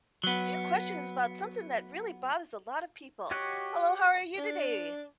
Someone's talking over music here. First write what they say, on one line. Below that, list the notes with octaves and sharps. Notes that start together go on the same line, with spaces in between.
few questions about something that really bothers a lot of people. Hello, how are you today?
F#3 B3
F#4 G4 C#5 D#5 F#5
D4